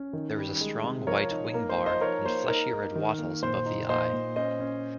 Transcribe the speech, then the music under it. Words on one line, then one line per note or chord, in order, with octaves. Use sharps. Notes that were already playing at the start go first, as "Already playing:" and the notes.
There is a strong white wingbar, and fleshy red wattles above the eye.
Already playing: C#4
D#3
G3
G#3
C3
F3 A#4 C#5
D#4
A#3 A#4
C5
F3
C5 D#5
D#4 A#4 C#5
A#3 C5
D#4 A#4
D#4
D#3
A#3
A#2 C5
D#4
A#2 C5 D#5
A#2
C#4 C5 D#5
C#4